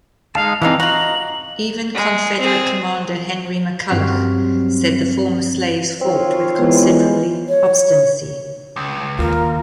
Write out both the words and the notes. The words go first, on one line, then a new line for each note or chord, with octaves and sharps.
Even Confederate commander Henry McCulloch said the former slaves fought with considerably obstinacy.
G#3 D#4 F5 A5
E3 G#3 C4 D4 D#4 F5
F4 F#4 D#5 A#5 F#7
G#3
C4 G#4
G2 F#3 C4 C6 F6 B6
D#3 C4 F4 C#5
E3 G#3 B3
C#5
C#2
D#2 F4 A#4